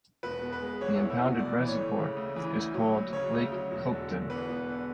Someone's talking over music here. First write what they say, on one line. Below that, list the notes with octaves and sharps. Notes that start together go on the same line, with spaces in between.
The impounded reservoir is called Lake Copeton.
E1 B4
B2
B4
G#3
E2 C#5
E4
E1
E4
B2
F#4
D2 D5
E3
C#5
A3
C#3
D2
E3
D2
F#3
D2
C#3 C#5
D2
F#3
E1
D3
E1
E2 B4
E1
D3